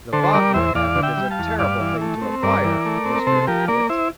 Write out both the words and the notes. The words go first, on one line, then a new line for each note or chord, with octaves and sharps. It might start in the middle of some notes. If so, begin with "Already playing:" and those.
"The Wagner habit is a terrible thing to acquire, Mr. Idiot."
D3 A4 C5
C5
G3 A#4 D5
E2 C5 E5
E2 D5 F5
D3
E5 G5
G3
F5 A5
E2
G2 D5 F5
E3
A3
C4
G2 A#4 D5
E3
A3
C4
A#4
C3 A4 C5
F3 G4 A#4
A#3 A#4 D5
E4 C5 E5